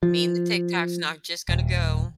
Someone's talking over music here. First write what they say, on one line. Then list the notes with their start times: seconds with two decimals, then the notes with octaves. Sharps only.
mean the TikTok's not just gonna go.
0.03 F3
1.49 D#1